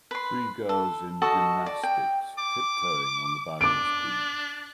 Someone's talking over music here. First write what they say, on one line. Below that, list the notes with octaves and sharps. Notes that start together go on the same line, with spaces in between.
Three girls in gymnastics tip toeing on the balance beam.
B4 C6
A4
F#4 A4 D#5 A5
D5
G5
D6
D4 D6 D7